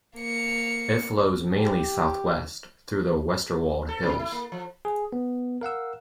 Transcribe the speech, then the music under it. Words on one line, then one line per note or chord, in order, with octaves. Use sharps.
It flows mainly south-west, through the Westerwald hills.
A#3 C#7
G4
A4
C3
E4
A#3
F3
G#4
B3
A#4 F5 F#5 E6